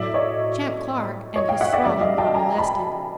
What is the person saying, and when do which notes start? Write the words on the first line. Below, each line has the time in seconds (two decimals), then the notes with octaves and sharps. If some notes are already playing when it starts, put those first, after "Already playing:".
Champ Clark and his throng were not molested.
Already playing: A2 F#3 D5 E5
0.14 C#5 D#5
1.36 C#5 D#5
1.48 F5 G5
1.61 E5 F#5
1.73 D5 E5
1.85 C#3 F3 G#3 D5 E5
2.01 D#5 F5
2.18 G5 A5
2.34 G#5 A#5
2.58 A5 B5